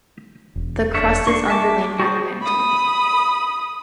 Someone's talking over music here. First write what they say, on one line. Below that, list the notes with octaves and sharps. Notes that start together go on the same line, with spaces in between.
The crust is underlain by the mantle.
E1
F1 D4 C#5 E5
A#3 D4 C#6
E5 A5 D6
F#4 G#4 C5
B5 D#6